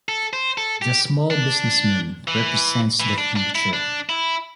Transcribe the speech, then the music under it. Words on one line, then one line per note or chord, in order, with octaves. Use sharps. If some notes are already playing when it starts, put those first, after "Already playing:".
The "Small Businessman" represents the future.
A4
C5
A4
G4
D4
E3
E3
D4
D4
E4
D4
E4